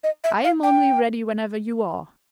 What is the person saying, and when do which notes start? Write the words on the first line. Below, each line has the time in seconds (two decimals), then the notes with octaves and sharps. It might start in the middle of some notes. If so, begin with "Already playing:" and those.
I am only ready whenever you are.
0.03 D#5
0.24 E5
0.44 F5
0.63 G5